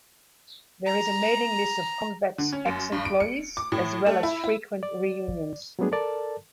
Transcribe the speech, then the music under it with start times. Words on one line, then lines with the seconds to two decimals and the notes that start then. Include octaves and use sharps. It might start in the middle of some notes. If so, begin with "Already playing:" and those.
There is a mailing list of Convex ex-employees, as well as frequent reunions.
0.86 A#5
2.38 D3
2.53 C#4
2.66 F#2
2.92 G2
3.05 D7
3.20 C#7
3.57 D6
3.72 A2
4.06 A3
4.23 E4
4.44 E4
4.83 D5
5.79 F#3 G3 A3 B3 D4 G#4
5.92 A4 A#4 D5 A5